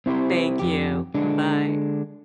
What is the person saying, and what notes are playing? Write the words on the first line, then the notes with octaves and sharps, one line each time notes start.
Thank you, bye.
C4 E4 F#4 G4 C5
F2 G4
D3 G#3 D4